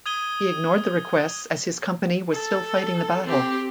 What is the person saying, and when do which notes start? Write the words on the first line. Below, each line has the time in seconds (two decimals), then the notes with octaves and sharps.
He ignored the requests as his company was still fighting the battle.
0.06 D#6 G#6 D#7 G7
2.32 A4
3.24 C4 G4